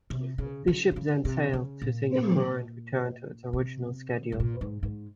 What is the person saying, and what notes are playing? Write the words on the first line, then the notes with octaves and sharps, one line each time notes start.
The ship then sailed to Singapore and returned to its original schedule.
C3
C#3
C#3
C3
C#3
C3
C#3
A#2
C3
G#2
A#2
G#2
G#2